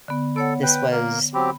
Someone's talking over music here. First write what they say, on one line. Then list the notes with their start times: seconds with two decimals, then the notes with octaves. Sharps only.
This was
0.08 D3 B3
0.36 B3 A4 C#5 F#5
0.63 B4 G5
0.91 A#3 A#4
1.34 F#3 C4 G4 B5